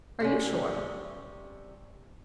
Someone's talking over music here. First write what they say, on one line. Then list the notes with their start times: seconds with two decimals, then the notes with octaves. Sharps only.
"Are you sure?"
0.20 C3 G3 C#4